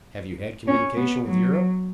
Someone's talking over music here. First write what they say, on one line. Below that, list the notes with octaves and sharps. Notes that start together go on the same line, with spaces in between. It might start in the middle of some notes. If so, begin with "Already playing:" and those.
Have you had communications with Europe?
C#4
B3
F#3